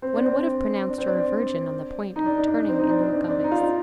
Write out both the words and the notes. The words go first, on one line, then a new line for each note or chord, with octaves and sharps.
One would have pronounced her a virgin on the point of turning into a goddess.
C4
D4
C4
D4
C4
D4
D#4
D4
D#4
D4
D4
C4
D#4
D4
C4
D4
D4
D#4
F4
D#4